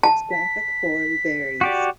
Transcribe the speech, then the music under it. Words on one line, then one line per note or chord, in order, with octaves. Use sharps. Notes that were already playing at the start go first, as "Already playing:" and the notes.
Its graphic form varies.
A5
B6
F#4 G4 D5